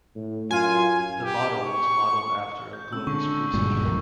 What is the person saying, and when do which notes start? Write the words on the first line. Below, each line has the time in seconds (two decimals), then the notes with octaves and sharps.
The bottle was modeled after a Globus cruciger.
0.15 A2
0.51 F#2 F4 G#5
1.25 G4
1.66 C#6
2.73 G6
2.93 G#3 C4 C#4 E6
3.07 D3 C#6
3.54 F#1 G2 A#2 D3 D#3 G#3
3.84 F1 C2 F2 B2 E3 A#4